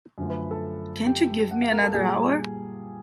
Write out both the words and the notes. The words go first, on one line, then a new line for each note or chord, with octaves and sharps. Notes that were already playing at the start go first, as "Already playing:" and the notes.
Can't you give me another hour?
F#2 D3 F3 A3
B4 B5
A4 A5
G4 G5
F#5
F5
A#4 A#5
A4 A5
A#2 G3 G#4 G#5